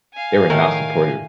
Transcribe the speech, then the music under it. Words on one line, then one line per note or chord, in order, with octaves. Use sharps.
they were not supportive.
F5 G#5
A2 D#3 A3 A#4